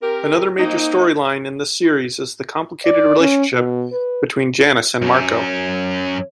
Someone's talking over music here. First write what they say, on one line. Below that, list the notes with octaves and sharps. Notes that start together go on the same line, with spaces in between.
Another major storyline in this series is the complicated relationship between Janis and Marco.
C4 G4 A#4
A#3 C4 D#4
D5
C#4
B2
B4
F#2 C#4